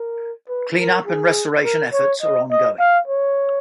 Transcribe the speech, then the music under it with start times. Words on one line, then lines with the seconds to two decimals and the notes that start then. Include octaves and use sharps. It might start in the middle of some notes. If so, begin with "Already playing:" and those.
Cleanup and restoration efforts are ongoing.
Already playing: A#4
0.49 B4
0.78 A#4
1.06 G#4
1.64 A#4
1.93 C#5
2.22 D#5
2.50 D#5
2.79 F5
3.08 C#5